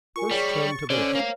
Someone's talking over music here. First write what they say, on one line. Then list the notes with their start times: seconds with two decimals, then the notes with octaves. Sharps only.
First turn to the left.
0.16 F4 A#4 G#5 C#6
0.31 G3 G#4 C#5 G5
0.71 A6
0.90 D3 C#4 C5 C#5
1.15 A#3 F5